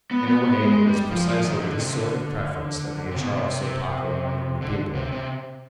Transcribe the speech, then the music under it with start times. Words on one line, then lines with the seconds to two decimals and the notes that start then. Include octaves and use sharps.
In a way it was precisely this sort of preference that made Charles so popular among the people.
0.11 B3
0.27 B3
0.44 B3
0.62 G#3
0.87 G3
1.11 F3
1.28 F3
1.44 D#3
1.61 D3
1.78 C3
1.94 D3
3.11 C3
3.21 B2
3.32 C3
3.61 C3
4.62 D3
4.95 C3
5.12 C3